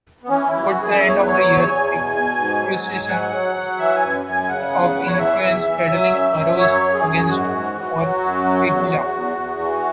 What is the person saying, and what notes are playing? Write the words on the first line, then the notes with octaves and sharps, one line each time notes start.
Towards the end of the year, accusations of influence peddling arose against Orfila.
B3
E3 C#4
E4
E3
F#4
F#2
G#4
E2 E5
C#5
B4
F#3 C#5
E2
E2 G#5
B2
B2
G#2
F#3
G#2
F#3 F#5
F#3
F#3
E3 E5
F#5
G#5
F#2
F#2
G#5
G#5
C#3 F#5
E2
E2 B4
C#5
E3 E5
E2
E3
F#3
F#2
F#3
F#2 C#5
F#2
G#4
F#2
G#2 F#4
G#2
E3
F#3
F#2
F#3
E2
E2
E2
E2
E3